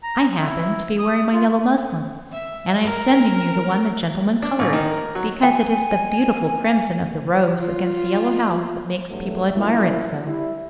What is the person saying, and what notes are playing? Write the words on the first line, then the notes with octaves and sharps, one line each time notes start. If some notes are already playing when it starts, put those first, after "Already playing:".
I happened to be wearing my yellow muslin, and I am sending you the one the gentleman colored, because it is the beautiful crimson of the rose against the yellow house that makes people admire it so.
A#5
E4
D#6
F4
E5
A#4
D4
A1
D#3
A#4
F#3
G5 G#5
F4
E2 G2 F#3 A3
A#2 F#3 A#3 C#4 E4
G3 E4